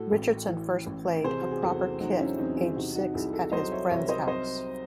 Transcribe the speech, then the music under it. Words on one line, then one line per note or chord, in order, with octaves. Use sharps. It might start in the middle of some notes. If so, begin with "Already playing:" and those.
Richardson first played a proper kit aged six at his friends house.
Already playing: A2 F#4 A4
A1
E3
A1
C3 G#4 C5
F#4
G#4
E2 F#4 A4
F#3 D#4 F#4
C#4 E4
E2 C4 D#4
E4 G#4
C3 D#4 F#4
D#4 F#4
C2 E4 G#4
F#4 A4
F#3 C5 D#5
C#5 E5
C2 C#5 E5
C5 D#5
C3 C5 D#5